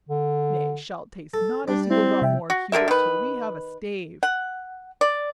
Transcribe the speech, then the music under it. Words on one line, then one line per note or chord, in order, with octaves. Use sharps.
Nay, shalt taste not a single drop more, Hubert, till we have a stave.
D3
A4
G3 D4
C4 E4
C3 E5 G5
F#4
D3 G#4 A#4 E5
D#3 B4
F#5
D5